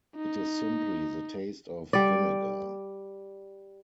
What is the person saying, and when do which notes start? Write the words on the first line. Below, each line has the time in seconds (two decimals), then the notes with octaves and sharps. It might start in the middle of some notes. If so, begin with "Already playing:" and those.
It is simply the taste of vinegar.
0.16 D#4
1.93 G3 D5